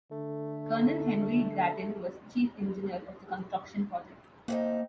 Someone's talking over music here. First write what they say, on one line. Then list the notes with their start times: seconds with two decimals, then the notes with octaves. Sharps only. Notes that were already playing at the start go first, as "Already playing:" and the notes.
Colonel Henry Grattan was Chief Engineer of the construction project.
0.12 D3 A3
4.48 A2 A#3 C4 D#4